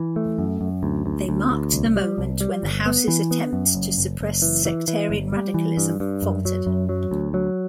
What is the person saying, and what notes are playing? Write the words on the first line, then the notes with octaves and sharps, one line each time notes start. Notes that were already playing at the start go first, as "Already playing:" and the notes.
They marked the moment when the house's attempts to suppress sectarian radicalism faltered.
Already playing: E3
A3
F#2
F#2
D2
D2
D2
D2
C2
G3
C2
G3
G1
B3
E3
B3
F#2
F#1
F#1
F#1
E3
E3
E3
G1
G3
E3
G2
G2
F#2
F#3
F#2
F#3
D2
F#3